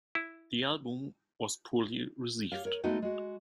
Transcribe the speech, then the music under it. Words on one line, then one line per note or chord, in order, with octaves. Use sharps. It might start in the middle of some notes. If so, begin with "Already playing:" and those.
The album was poorly received.
E4
G4 C#5 F5
A#4 C#5
G#3 A3 B3 D#4 F#4
G#3 F#4